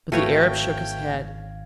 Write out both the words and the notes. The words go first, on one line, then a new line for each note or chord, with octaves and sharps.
But the Arab shook his head.
G#1 A3 F#4 B4 C#5 F5 G5 G#6